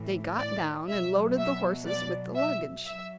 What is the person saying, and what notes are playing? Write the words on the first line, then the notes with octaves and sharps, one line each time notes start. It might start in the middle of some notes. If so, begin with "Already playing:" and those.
They got down and loaded the horses with the luggage.
Already playing: A2 E3
D5
B2 F#3 E5
E5
D5
E5
F#3 E5